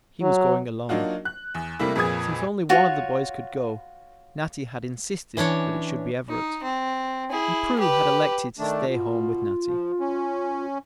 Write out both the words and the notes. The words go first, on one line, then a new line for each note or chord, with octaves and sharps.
He was going alone. Since only one of the boys could go, Natty had insisted that it should be Everett, and Prue had elected to stay home with Natty.
F#3
F#3 A#3 D4 D#4 F4 F#4
F#6
E2
C3 G3 A3 A#3 E4
F2 A#2 G#4 B4 D#6 G#6
F4 F#4 C#5
E3 C#4 D4 C#5
D#4
C4
E4 G#4
G4 B4
D#3 A3 D4
B2 F4
F3
C#4